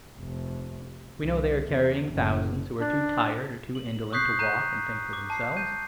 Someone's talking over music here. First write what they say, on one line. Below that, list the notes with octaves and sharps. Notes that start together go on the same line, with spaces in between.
We know they are carrying thousands who are too tired or too indolent to walk and think for themselves.
F1
C2
E2
F#1
D4
F#7
C#6 D#6 F#6 G6 B6 C7
A#5 F#6 G6 D#7
D6
A5 C7
G6 D#7